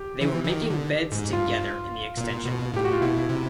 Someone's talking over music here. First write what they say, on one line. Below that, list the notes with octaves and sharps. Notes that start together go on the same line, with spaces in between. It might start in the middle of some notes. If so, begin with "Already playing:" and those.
They were making beds together in the extension.
Already playing: G4
E3
E3
D#3
D3
G#2
G2 F4
A#2
B2
A2 G4
F#4
F4
B2 E4
C3